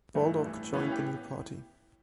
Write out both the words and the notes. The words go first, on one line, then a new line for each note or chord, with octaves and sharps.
Baldock joined the new party.
G2 E3 A3
A2 E3
A2 E3 B3
C#4
G4